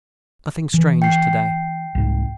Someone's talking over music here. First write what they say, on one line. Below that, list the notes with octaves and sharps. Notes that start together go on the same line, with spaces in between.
Nothing strange to day.
E3
G5 C7
C2 G#2